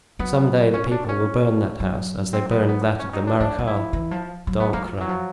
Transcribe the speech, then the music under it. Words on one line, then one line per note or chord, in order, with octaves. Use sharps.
Some day the people will burn that house, as they burned that of the Marechal d'Ancre.
F#3 B3
F3 C#4
D4
C#4
F#3
C4
B3
B3
F3
C#4
F#3 D#4
D4
E3
F3 D4
F#3
E4
F3
E3
F3
F#3
B3
F#3 A#3
F3
E3 F#3
F3